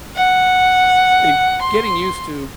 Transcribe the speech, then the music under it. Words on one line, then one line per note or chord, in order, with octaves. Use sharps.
and getting used to
F#5
C6